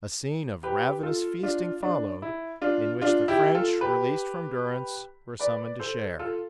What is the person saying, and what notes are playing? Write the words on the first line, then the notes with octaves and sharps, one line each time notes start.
A scene of ravenous feasting followed, in which the French, released from durance, were summoned to share.
G4 B4
F4 A4
D4 F4
D4
E4
D4 F4
D4 F4
E4 G4
F4 A4
G4 B4
B4 D5
A4 C5
F4 A4